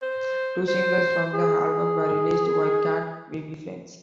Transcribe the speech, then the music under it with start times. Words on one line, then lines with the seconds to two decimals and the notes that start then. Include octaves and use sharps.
Two singles from the album were released: Why Can't We Be Friends?
0.02 C5
0.68 C5
1.33 G#4